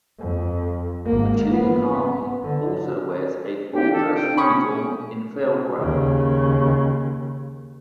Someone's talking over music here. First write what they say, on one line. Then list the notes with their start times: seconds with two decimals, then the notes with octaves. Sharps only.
The Chilean Army also wears a full dress uniform in feldgrau.
0.19 F2
1.05 G#1 A#3
1.50 B3
2.43 D3
3.74 C4 D4 F4 G4
3.93 A4
4.14 G5
4.37 C#4 B5 C#6 D#6
5.79 D#2 C#3